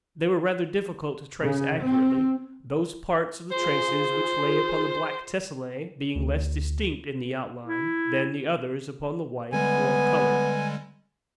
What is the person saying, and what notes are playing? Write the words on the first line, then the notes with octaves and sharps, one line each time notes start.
They were rather difficult to trace accurately; those parts of the traces which lay upon the black tessellae being less distinct in the outline than the others upon the white or colored.
C#3
C4
F4 G#4 C5 C6
D2
E4
D3 G3 G#3 B3 G#5